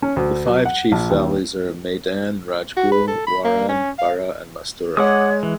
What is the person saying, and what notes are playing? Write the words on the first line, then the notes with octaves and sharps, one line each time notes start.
The five chief valleys are Maidan, Rajgul, Waran, Bara and Mastura.
C#4
D2
F#3
F#5
A#1
D#2
F#4
B4
A4
B5
A#3
C#4
F5
G#3 C#5 F#5 D6 D#6
E3